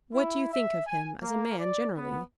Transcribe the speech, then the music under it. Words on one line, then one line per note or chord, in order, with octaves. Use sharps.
What do you think of him as a man generally?
E4
E5
G#5
A#3
D5
B3